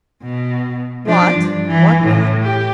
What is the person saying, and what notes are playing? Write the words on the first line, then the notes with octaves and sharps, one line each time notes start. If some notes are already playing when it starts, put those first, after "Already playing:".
"What--what man?"
B2
F3 D4
G2
E3
A2
G4